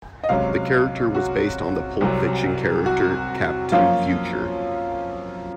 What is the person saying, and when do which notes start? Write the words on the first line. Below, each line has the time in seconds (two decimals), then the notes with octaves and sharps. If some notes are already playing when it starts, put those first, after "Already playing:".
The character was based on the pulp fiction character Captain Future.
0.24 D#5
0.29 C#2 C3 F#3 C#4 F5
1.15 F#4
2.01 C2 C3 F#3
2.86 F#4
3.72 F#2 F3 A#3 C#4 F4